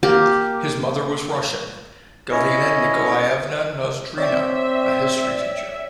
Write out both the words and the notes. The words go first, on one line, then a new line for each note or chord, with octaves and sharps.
His mother was Russian, Galina Nikolaevna Nozdrina, a history teacher.
A#3 G4
C#4 E4 C#5 D#5
C4 C#5 D5 E5 G5